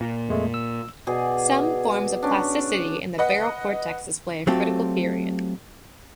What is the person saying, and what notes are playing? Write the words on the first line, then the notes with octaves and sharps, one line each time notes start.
Some forms of plasticity in the barrel cortex display a critical period.
A#2
F2 G#3 A3
E6
B2 G#4 D5 G#5
C#4 D4
B4 D#5 F#5
F#3 A3 C4 F4 G4 A4